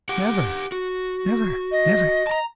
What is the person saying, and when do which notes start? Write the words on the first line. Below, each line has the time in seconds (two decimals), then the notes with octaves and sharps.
"Never, never, never!"
0.09 G4 F#5
0.72 F#4
1.71 D#5
2.27 A5 A#5